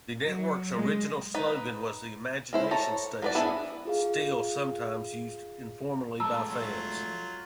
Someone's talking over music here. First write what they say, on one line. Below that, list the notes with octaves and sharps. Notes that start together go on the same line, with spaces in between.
The network's original slogan was "The Imagination Station", still sometimes used informally by fans.
F#3
G#3
D#4 B4
G#3 E4 C5
A4 C#5 A#5
F#3 B4 D5
B3 D4 E4 G#4
F4 G#4 F5
F3 G#3 A3 A5 A#5 E6
F#3 F4